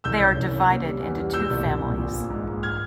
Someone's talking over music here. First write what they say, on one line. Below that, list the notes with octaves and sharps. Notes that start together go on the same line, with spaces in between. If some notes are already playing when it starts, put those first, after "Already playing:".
They are divided into two families.
C2 E6 G6
C#4
C2
C#4
A#3
G3
E2
G3
A#2 E6 G6
C2
C2
A#2
A#1
A#3
G#2
G#2
F6 G#6